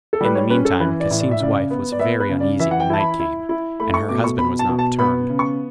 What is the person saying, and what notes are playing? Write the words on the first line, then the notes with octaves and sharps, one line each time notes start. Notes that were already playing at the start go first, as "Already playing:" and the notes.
In the meantime, Cassim's wife was very uneasy when night came, and her husband was not returned.
A4
G3 B4
C#5
C#4 B4
A4
E3 B4
D5
A2
D5
E5
C#3 D5
B3
D5
B3 E5
B4
C#3
D5
E3 E5
F#5
G5
E4 A5
B5
E4
E4
A3 B5
C#6
B2 D6
C#6
B2 B5
A5
B2
A5
B3 B5
C#3
C#6